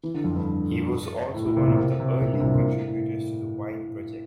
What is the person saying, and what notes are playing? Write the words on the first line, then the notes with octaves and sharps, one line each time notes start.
He was also one of the early contributors to the Wine project.
E3
D3
F2
G2
A2
A2
C3
A#2
C3
C3
A#2
G2
C3
A#2
A#2
A2
A2